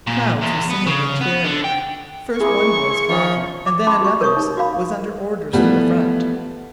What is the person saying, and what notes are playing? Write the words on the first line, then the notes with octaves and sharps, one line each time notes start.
Crowds were singing and cheering. First one boy's father and then another's was under orders for the front.
A#2
E2
B3
C#3
B3
D3
G5
A#3 C4 E4 G#4 C#6
F3 C#4 G#4
D6
C#4 A5 B5 C6 D6
F#4 G4 C#6
A#4 C#5 C#6 D#6
D#4
F#4 D#5 F5 B5
E3 F3 G3 A3 B3